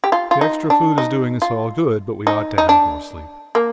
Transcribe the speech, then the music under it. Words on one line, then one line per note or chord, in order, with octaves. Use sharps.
The extra food is doing us all good, but we ought to have more sleep.
G4
F4
F4
D#4
D4
D#4
F4
D#4
D#4
D4
A#3